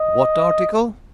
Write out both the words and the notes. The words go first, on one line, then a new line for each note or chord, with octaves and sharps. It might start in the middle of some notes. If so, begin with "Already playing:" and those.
"What article?"
Already playing: D#5